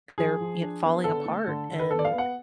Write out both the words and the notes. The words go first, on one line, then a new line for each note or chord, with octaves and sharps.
they're y falling apart, and
F3 G#4
F3
D4
B3
D3 A4
A3
D3
D3
B4
B3 A4
D5
F5
B3
F#5